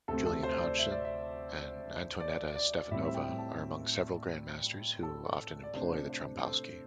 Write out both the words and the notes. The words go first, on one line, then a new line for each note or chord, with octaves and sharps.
Julian Hodgson and Antoaneta Stefanova are among several grandmasters who often employ the Trompowsky.
D2 C3 A3 C4 A4
A4
C5
D5
E5
D5
E5
D5
D5
A2 G3 C4 E5
E5
G5
A5
A4
D5
C3 A3 D4 C5
C5
C5
A4